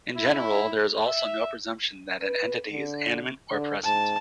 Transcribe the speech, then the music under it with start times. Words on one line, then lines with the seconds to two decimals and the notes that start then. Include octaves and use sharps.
In general, there is also no presumption that an entity is animate, or present.
0.17 E4
1.05 E5
2.22 B4
2.72 D3
3.51 D3
3.85 G#2 A5